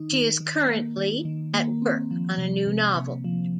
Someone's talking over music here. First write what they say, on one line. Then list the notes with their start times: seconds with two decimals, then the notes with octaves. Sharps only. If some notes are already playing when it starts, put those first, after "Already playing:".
She is currently at work on a new novel.
Already playing: D#3 D#4
0.12 D#3
0.40 D#3
0.68 A#3
0.97 D#3
1.25 D#3
1.53 A#3
1.82 C4
2.11 F3
2.38 C3
2.67 C3
2.95 C3
3.24 F3